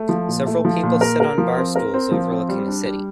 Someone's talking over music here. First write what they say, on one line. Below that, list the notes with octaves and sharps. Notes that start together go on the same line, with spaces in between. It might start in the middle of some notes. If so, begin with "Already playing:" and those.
Several people sit on bar stools overlooking a city.
Already playing: A3
F3
A#2
A3
F3
A#2
A#4
A#4
F3
C4
A#4
C4
F3
C4
G3
D4
G3